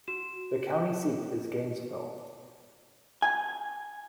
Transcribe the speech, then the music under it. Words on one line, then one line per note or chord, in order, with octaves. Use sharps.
The county seat is Gainesville.
F#4 E7
G#5